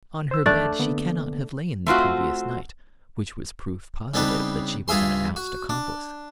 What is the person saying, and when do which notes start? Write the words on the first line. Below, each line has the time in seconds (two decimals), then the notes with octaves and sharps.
On her bed she cannot have lain the previous night, which was proof positive that she was an announced accomplice.
0.31 C5 E6
0.46 E2 A3 D4 D5 A5 D6
0.79 D3 A#3 B3
1.87 A3 C4 F4 F#4
4.14 C#3 G3 B3 C4 D4 D#4
4.88 G2 F4 G#4 E5 G#5 C6
5.36 F#4
5.69 D4